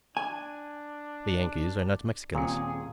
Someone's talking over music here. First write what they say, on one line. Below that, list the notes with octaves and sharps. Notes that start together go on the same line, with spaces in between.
The Yankees are not Mexicans.
D4 G#5
D#1 A#2 C4 G#4 C#7